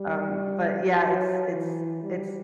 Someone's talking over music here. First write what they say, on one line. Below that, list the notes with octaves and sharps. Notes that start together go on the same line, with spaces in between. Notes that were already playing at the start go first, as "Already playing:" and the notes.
um, but yeah, it's it's it's
Already playing: G3
F#3
E3
G3